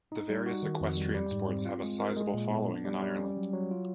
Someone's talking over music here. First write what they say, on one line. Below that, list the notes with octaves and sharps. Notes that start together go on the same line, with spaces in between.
The various equestrian sports have a sizeable following in Ireland.
D#4
G3
F#4
D#3
F2
G3
G3
G#2
C4
F4
G#3
A#4
G#3
A#2
B3
D4
G3
G3
C#4
F#3
F#3
F4